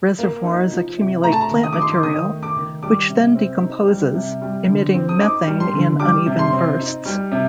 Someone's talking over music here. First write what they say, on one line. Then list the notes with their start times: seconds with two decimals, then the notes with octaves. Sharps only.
Reservoirs accumulate plant material, which then decomposes, emitting methane in uneven bursts.
0.19 A#3
0.44 D#4
0.71 F3
0.97 C3
1.23 A3 A#5
1.32 A5
1.41 A#5
1.51 D#3
1.63 D#6
1.73 D6
1.77 D#4 C6
1.90 D6
2.03 D#3 D#6
2.30 A3
2.43 D6
2.56 D#3
2.83 G3 D6
3.09 C3
3.35 C4
3.62 D#4
3.88 G3
4.14 C3
4.41 G3
4.68 D3
4.94 C4
5.09 D#6
5.20 D#4 D6
5.47 G3
5.60 C6
5.73 D3
6.00 G3 D6
6.26 C3
6.39 C6
6.52 C4
6.79 D#4
7.05 G3
7.32 C3